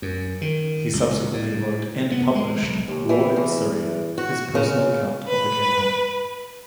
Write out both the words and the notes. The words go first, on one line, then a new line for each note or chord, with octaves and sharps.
He subsequently wrote and published "War in Syria", his personal account of the campaign.
F#2
D#3
C#2
A2
B3
G#3
B1
D#2
E3
E2
F#4
C#3
B4